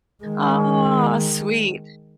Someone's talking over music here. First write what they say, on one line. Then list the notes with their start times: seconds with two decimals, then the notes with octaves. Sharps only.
aw, sweet.
0.24 D#3 G#3